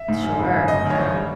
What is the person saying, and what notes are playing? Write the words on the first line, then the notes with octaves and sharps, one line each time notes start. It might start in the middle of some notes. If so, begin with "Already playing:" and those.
Sure, yeah.
Already playing: E5
G#2
F#2
C#3
F#2
G1 D#5
F#2
C#5
D3
G3